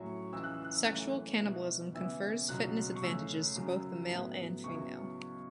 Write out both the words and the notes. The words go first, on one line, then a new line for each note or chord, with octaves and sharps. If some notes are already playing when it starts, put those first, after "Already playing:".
Sexual cannibalism confers fitness advantages to both the male and female.
Already playing: A2 F#3 C#4 E4 C#6
C#2 C#3 E3 E6
F#6
E6
F#6
E6
F#2 E3 A3 C#4 F#6
B2 B3 E4
C#3 E3 B3 E4 E6
C#2 B2 F#3 F#6
C#6
C#2 C#3 A3 C#4 E6
F#2 C#3 F#3
A2 F#3 B3 E4
C#2 C#3 F#3 B3 E4 C#6